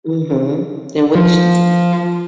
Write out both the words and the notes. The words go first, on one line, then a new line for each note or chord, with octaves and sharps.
Mhm. And what did she say?
F3